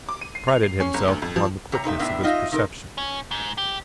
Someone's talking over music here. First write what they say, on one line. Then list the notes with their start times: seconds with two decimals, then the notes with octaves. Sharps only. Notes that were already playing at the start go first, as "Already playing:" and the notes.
He prided himself upon the quickness of his perception.
0.09 D6
0.21 D#7
0.35 C7
0.48 F7
0.63 C7
0.80 C#4
0.94 G1
1.08 D2
1.22 F2
1.36 F3
1.72 C3 C#5 A#5
1.84 C3 D#4 A#4 E5
1.99 A2 C3 B3 D4 E5
2.23 D#4 F4 D#5 E5
2.52 C3 D#4 A4 A#4
2.98 C#4
3.31 G#2
3.58 G4